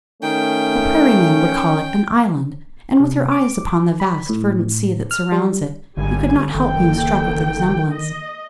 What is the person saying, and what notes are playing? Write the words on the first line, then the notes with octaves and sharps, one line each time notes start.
A prairie-man would call it an "island," and with your eyes upon the vast verdant sea that surrounds it, you could not help being struck with the resemblance.
D#3 A3 C#4 G5
C3
D6
B5
A2
F6
G3
G#1 D3 G3 G#5
F#1 D#3 A#3 A4 G5
D#5